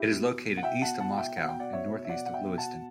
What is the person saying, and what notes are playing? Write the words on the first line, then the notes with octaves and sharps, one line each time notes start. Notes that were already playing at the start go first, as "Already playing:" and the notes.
It is located east of Moscow and northeast of Lewiston.
Already playing: E4 G4
B2
B2
B2
F#5
B2 E5 G5
B2 F#5 A5
B2 F#5 A5
B2 E5 G5
B2 F#5
G5
B2 D5 F#5
B2 C#5 E5
B2
E5
B2 D5 F#5
B2 F#5
E5 G5
B2
F#5 A5
B2